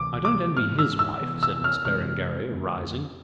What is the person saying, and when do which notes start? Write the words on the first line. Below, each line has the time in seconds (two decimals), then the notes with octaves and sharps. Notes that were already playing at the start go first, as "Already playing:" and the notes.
"I don't envy his wife," said Miss Berengaria, rising.
Already playing: D2 C3 E3 D6
0.25 D6
0.57 G#2 E3 G#3 F6
0.79 E6
0.99 E6
1.21 C3 E3 B3
1.43 E6
1.64 F6
1.85 C3 E3 G#3 C4 F6
2.49 F2 D3 A3